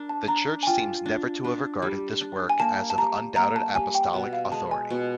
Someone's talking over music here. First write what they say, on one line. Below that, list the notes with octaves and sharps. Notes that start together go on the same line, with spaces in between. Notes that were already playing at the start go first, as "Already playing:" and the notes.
The Church seems never to have regarded this work as of undoubted Apostolic authority.
Already playing: D4 A#4
A5
D4 A#5
G#5
F4 G5
D4
D4
G3
D4
G#5
A#3 A5
A5
G3 A#5
A#3 A#5
A5
G3 G#5
G5
B2 F#5
F5
G#3 A5
G#5
B2